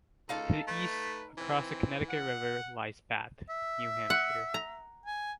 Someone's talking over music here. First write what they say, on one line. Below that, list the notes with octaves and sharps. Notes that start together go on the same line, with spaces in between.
To the east, across the Connecticut River lies Bath, New Hampshire.
C#2 D#4 A4 F5 A5
A3 B4
E3 C4
F#5
E5
F#5
A#5
G#5